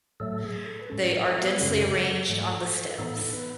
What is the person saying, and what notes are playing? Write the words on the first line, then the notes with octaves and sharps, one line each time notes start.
They are densely arranged on the stems.
A2 F#3 A3 A4
G#4
A4
B4
A2 G#3 C#4 A4
A4
A4
B3 B4
F#2 C#3 G#3 C#4 A4
G#2 E3 A3
B4
A2 E3 B3 D#4 A4
B3 B4